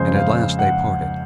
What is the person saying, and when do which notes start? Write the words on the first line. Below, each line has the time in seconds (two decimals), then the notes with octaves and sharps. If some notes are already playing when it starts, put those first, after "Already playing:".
And at last they parted.
Already playing: F2 C#3 G#3 C5
0.15 F5
0.59 F#5